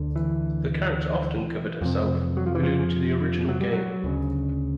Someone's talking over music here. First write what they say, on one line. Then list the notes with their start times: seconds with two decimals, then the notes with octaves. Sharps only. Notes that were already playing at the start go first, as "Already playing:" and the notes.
The character often covered herself, alluding to the original game.
Already playing: D2 D3
0.16 E3
1.82 F2 C3
2.37 F#3
2.46 F3
2.55 E3
2.63 F3
3.49 F#3
3.60 G3
3.73 F#3
4.04 D2 C#3